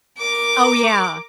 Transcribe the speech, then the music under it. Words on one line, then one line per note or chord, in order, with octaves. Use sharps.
Oh, yeah,
A#4 D6